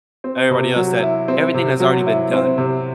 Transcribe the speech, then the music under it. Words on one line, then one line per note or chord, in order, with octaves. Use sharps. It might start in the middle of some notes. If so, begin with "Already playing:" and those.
everybody else that everything has already been done.
C4
C3
F#3
E4
C4
C3
F#3
E4
C4
C3